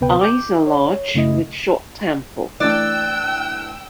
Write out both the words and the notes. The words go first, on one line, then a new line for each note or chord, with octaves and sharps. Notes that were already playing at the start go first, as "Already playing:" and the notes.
Eyes are large with short temple.
D2 C3 B3 B4 G5
D6 G6
C#5
F#2 C#3 A3 E4 D#5
E3 A3 D4 D5 G5 E6 F#6